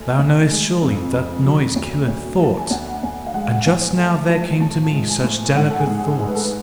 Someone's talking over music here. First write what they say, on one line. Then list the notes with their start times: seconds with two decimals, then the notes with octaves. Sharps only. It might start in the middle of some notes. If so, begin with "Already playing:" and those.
Thou knowest surely that noise killeth thought,--and just now there came to me such delicate thoughts.
Already playing: D2 A3 G#5
0.18 D2
0.50 G#3
0.82 F2
1.13 F2
1.45 F#3
1.76 D2
2.08 D2
2.39 F#3 A5
2.57 G#5
2.71 D2 F#5
3.03 D2 G#5
3.27 F5
3.34 G#3 F#5
3.66 D2 G#5
3.97 A3
4.13 A5
4.29 F3
4.60 A2 A5
4.92 G#3
5.08 G#5
5.23 A2
5.55 G#2 F#5
5.70 A4
5.79 G#4
5.87 G#2
6.02 G#4
6.18 G#3
6.27 B4
6.35 A4
6.43 B4